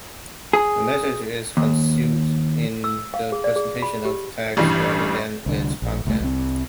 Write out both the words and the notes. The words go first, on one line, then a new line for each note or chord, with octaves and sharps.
A message is concealed in the presentation of text, rather than its content.
G#4
D#2
E6
F5
G#4
D5
G#4
B5
G4
A1 G2 E3 G3
C2 D3
A#1
F#1 C2 B2 A3
C2 G3 C4